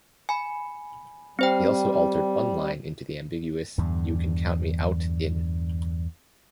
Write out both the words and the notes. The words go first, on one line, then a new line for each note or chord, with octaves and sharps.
He also altered one line into the ambiguous "you can count me out, in".
G#5 B5
G3 C4 C5 G5
E2 G2 D3